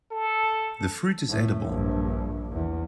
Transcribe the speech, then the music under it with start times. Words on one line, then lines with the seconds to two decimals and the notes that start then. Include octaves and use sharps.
The fruit is edible.
0.11 A4
1.29 A2
1.69 A#1 G2
2.52 E2